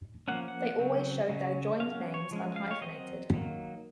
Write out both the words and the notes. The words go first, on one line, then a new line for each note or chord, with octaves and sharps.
They always showed their joined names unhyphenated.
F3 A#3 C#4 F#5
F#5
C#3 F#3 C4
C#3 F#3 C#4
F#3 C#4 F5
C#5
F3 G#3 C#4
F5
C#5
F#3 C4 D#5
D#3 F#3 A#3